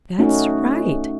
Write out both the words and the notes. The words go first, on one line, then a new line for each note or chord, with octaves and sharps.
"That's right!"
A3 C#4 D#4 F#4